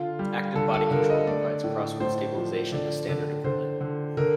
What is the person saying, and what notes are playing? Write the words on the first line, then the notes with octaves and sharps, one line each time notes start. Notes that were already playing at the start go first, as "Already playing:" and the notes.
Active Body Control provides crosswind stabilization as standard equipment.
Already playing: D3 F4
G3
D3 A4
A4
D3 A#4
D#5
A3 D5
A2
A2 C5
F3
D3 D5
D3
D3 C5
D3
D3 A#4